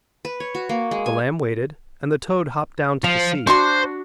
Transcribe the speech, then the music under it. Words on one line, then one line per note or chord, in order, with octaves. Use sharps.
The lamb waited and the toad hopped down to the sea.
B4
C#5
F#4
A#3
G#3
G#5
F3 F5
D4 F#4 C5 C6 C#6